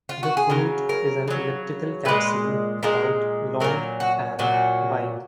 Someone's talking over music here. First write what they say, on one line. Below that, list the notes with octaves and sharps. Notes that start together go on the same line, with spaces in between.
The fruit is an elliptical capsule about long and wide.
F4
F#4
G#4
C#3 F#3 A#4
A#4
C#3 F#3
A#2 G#3 B4
A#2 G#3 A#4
A#2 F#3 A#4
F#4
A#2 F#3 F#4